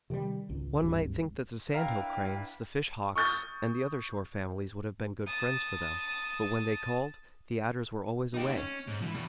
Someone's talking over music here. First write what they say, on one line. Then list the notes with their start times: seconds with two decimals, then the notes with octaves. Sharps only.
One might think that the Sand-Hill Cranes, the Fish Hawks, and the other shore families would have been good friends for them, but when they called, the Adders were always away.
0.10 C3 D#3 F3 G3
0.49 G#1 C#2
0.81 D1 G#1 D2 G2
1.74 D4 E4 A#4 B4 E5 F5 G5 A#5
3.16 C#6 D#6 G6 A6
5.26 A5 D#6
8.34 D#4 G4
8.57 C#4
8.87 G#2
9.02 E3 F3
9.14 E2 B2